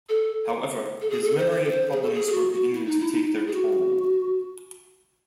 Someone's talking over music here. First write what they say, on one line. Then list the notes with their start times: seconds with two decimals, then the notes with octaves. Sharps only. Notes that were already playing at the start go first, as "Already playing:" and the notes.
However his memory problems were beginning to take their toll.
0.09 A4
1.01 A4
1.10 G#4
1.24 A4
1.38 C5
1.51 C5
1.64 A4
1.71 C5
1.92 G#4
2.02 A4
2.14 G#4
2.27 G#4
2.32 F#4
2.53 F#4
2.73 E4
2.86 D#4
3.00 E4
3.12 D#4
3.24 D#4
3.33 E4
3.47 G#4
3.54 F#4